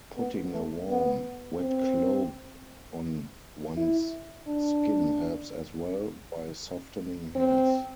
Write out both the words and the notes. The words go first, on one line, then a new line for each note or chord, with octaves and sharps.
Putting a warm, wet cloth on one's skin helps as well, by softening hairs.
B3
A3
B3
C4
E4
D4
C4